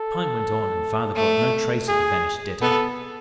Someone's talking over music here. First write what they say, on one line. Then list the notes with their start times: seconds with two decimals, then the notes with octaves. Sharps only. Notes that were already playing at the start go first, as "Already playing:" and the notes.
Time went on and father got no trace of the vanished debtor.
Already playing: A4
1.15 A3
1.89 G#4
2.61 B3 A4